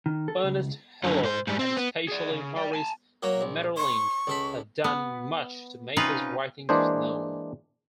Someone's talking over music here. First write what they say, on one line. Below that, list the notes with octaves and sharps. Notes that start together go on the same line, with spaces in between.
Ernest Hello and especially Maurice Maeterlinck have done much to make his writings known.
D#3
A4
C#2
F#2 D3
G#2 C5
G#2 G3
C4
B3
G#4 D5
C#3
D5 G5
G#5 A5
F#3 A#3 C#5
A#1
C5 C#6
C#2 A4 B5
B3
C3 C#4 D#4 F4 B4
E3 G#3 A#3 D4 G#4 C5